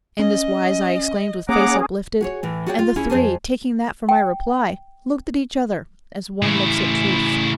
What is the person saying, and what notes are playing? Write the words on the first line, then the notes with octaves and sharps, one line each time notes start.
In this wise I exclaimed with face uplifted; And the three, taking that for my reply, Looked at each other, as one looks at truth.
C#4 D#5
A#3 C#4 G#4 F#5 A#5 D6
F#4 G#4 C#5
A2 E3
F#4 G#4 C#5 D5 F#5 G5
F4
C#4 E4 G#4
F2 C#3 G#4 C5 G#5 A5
G5
A2 C#3 E3 E4